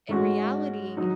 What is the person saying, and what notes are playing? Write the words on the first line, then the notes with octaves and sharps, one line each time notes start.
in reality,
G#2 G#3 C#4 F#4
F#3 D#4